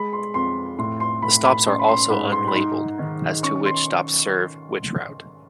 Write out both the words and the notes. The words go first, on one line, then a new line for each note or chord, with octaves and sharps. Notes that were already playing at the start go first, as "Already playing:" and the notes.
The stops are also unlabelled as to which stop serves which route.
Already playing: G#3 B5
C6
F2 C6
A2 C6
C6
A2 B5
B5
C#4 C6
B5
C6
G#2 B5
C6
B5
D#4 C6
D#3
C#4 C#6
C6